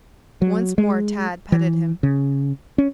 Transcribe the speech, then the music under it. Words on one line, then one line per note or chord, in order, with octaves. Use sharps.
Once more Tad petted him.
F#3
G#3
E3
C#3
C#4